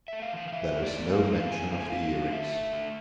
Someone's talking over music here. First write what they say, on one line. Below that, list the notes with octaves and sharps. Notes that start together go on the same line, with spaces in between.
There is no mention of the earrings.
A3 E5
F5
E3 F5
F5
E3 E5
A2
D5
A2
A3 F5
D3 F5
D3 G#5
A3 F5
G#5
D3 F5
D3
A3 E5
A3
D3